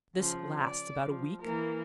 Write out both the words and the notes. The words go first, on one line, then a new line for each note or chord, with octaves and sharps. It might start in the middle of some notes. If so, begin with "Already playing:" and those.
This lasts about a week.
C#3 F3
D5
F3
E3 A#3 A#4